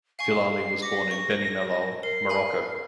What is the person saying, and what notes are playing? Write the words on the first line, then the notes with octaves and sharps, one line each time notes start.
Filali was born in Beni Mellal, Morocco.
F5 G#5 C#6 C7
D6 A#6 B6 C#7
C#6
A#4 C7
F5 G#5 B5